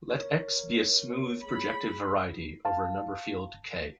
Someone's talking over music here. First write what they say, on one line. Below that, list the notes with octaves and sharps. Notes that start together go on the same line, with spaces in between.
Let "X" be a smooth projective variety over a number field "K".
A#4 C#5
G#4 B5
F5 A5